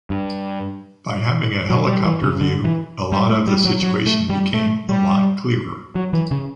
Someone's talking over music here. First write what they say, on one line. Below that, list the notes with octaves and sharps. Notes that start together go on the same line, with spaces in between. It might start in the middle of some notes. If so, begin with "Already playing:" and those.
By having a helicopter view, a lot of the situation became a lot clearer.
G2
F#3
G3
E3
C#3
D3
E3
G3
A3
G3
F#3
F#3
A3
G3
A3
G3
F#3
E3
C#3